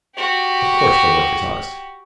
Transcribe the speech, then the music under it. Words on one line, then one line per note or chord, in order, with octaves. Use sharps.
Of course, their work is honest!
F#4 G4